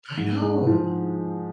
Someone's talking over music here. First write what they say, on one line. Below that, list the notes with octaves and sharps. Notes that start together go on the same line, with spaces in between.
I know.
G#2
G#3
F3